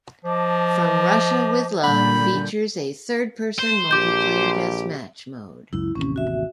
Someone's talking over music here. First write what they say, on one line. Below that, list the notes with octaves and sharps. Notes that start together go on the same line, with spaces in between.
"From Russia with Love" features a third-person multiplayer deathmatch mode.
F3 D#5 A5 D6
A#2 D3 G3 B5 G6
C5 C6
A#1 G4 D6 G6
C#2 F#2 E4
A1 D#2 C3 C#4
F#4 E5